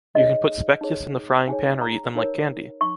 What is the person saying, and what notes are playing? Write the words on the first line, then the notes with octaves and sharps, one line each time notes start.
You can put Spekjes in the frying pan or eat them like candy.
D#4 G#4 C#5 D#5
D#4 G#4 C#5
D#4 G#4 C#5 G#5
A#5
D#4 A#4 C#5
D#4 C#6